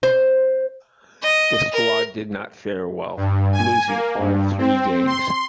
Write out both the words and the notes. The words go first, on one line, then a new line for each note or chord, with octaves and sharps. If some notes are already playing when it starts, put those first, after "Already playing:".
The squad did not fare well, losing all three games.
C5
D#5
A#4
G2
G#5
A#3
G2
C4
C6